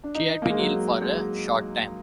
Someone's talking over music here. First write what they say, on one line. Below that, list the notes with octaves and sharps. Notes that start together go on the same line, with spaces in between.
She had been ill for a short time.
D4
D#4
A#3
G#3
F#3
G#3